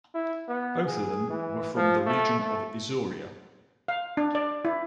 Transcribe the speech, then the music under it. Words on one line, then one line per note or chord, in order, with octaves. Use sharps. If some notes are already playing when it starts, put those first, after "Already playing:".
Both of them were from the region of Isauria.
E4
B3
G#4
E3
F3
A3
A3
F5
D4
D5
E4